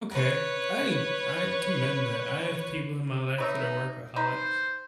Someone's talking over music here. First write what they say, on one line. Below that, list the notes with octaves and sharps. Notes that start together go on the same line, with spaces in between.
Okay, I I commend that. I have people in my life that are workaholics,
B4 C#5
D#4 B4 C#5 E5
D#4 B4 C5 B5